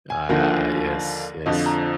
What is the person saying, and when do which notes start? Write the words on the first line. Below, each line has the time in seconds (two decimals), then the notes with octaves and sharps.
A ah. Yes. Yes.
0.10 G#5
0.29 D#2 D3 F3 A#3
1.46 F2 D3 F3 D#5
1.66 A#5